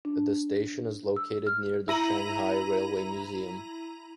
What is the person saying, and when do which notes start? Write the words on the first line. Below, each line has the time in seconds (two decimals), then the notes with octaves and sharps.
The station is located near the Shanghai Railway Museum.
0.05 D4
1.16 E6
1.47 F6
1.88 E4 A#5 D#7 F#7